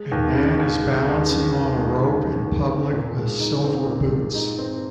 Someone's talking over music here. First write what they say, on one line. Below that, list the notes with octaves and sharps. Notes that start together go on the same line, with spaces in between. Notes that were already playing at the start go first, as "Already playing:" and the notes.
A man is balancing on a rope in public with silver boots.
Already playing: G#3
D#2
C#3
D#2
G#3
D#2
C#3
D#2
G#3
D#2
C#3
D#2
C4
A#2
G#3
D#4
C4
A#2
G#3
D#4
C4